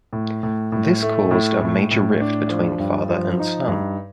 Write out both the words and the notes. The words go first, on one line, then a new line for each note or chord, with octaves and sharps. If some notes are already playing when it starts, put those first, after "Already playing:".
This caused a major rift between father and son.
A2
A2
A2
A3
A2
A2
A2
D4
F3
G2
F3
D#4
G2